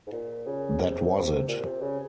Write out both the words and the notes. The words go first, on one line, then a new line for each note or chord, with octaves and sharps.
That was it.
G#2
A#2
C#3
C3
A#2
C3
C#3